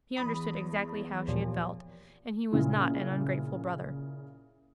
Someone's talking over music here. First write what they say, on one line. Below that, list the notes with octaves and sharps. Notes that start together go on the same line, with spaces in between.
He understood exactly how she had felt, and he was not an ungrateful brother.
E2 B5 D#6
D#2 A#2 F3
A#2 C#3 E4